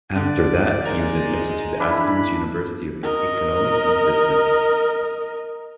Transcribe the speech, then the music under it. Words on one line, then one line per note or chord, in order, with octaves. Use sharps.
After that, he was admitted to the Athens University of Economics and Business.
D3 D5
G#3 D#4 A#4
D4 E4 B5
A#4 D#5